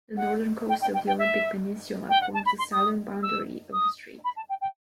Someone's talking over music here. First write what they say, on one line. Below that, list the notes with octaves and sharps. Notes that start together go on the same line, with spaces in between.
The northern coast of the Olympic Peninsula forms the southern boundary of the strait.
F#5
G5
G5
G5
G5
E5
G5
F#5
A5
B5
C6
D#6
E6
D#6
B5
A5
G5
G5